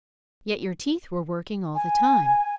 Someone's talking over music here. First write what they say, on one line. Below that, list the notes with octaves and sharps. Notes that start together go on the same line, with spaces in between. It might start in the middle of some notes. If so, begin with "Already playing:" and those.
Yet your teeth were working all the time.
G#5